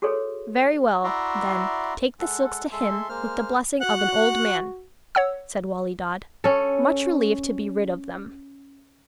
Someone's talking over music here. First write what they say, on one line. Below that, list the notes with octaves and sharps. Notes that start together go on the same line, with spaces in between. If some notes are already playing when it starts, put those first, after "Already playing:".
'Very well, then, take the silks to him, with the blessing of an old man,' said Wali Dad, much relieved to be rid of them.
F#4 G#4 A4 B4 C#5
E4 F#4 D5 E5 A#5 C6
G#3 A4 F#5
G#3 A4 E5 C6
G#3 A#3 C5 F6
F#4 F#5 F#6
C#5 F#5 E6
C#4 A4